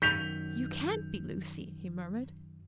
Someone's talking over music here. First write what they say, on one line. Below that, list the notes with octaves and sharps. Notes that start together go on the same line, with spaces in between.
"You can't be Lucy!" he murmured.
F#2 D#3 G6 B6 F7